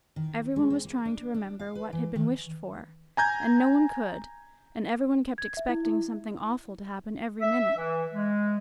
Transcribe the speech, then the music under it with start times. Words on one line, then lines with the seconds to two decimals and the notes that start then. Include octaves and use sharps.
Everyone was trying to remember what had been wished for, and no one could, and everyone kept expecting something awful to happen every minute.
0.16 D#3
0.56 G#3
0.70 C4
0.85 A#3
1.05 D4
1.34 D4
1.59 F5
1.75 B4
1.93 E3
2.16 D#3
3.17 G#5 A#5 G6 G#6
5.38 G#6
5.57 E5
5.69 E4
5.86 E4
7.41 E5
7.77 E3
8.14 G#3